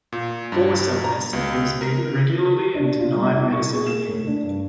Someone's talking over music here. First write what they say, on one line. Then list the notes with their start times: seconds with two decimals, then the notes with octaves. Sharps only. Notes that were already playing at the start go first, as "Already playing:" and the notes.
Former cellmates said he was beaten regularly and denied medicine he needed.
0.12 A#2
0.52 G2
1.04 A#5
1.33 C#2
1.81 A#4
2.74 D4
2.99 F4
3.14 G3
3.37 E4
3.52 C#6
3.73 G#4
3.87 E7
4.08 A2
4.26 D4
4.43 G2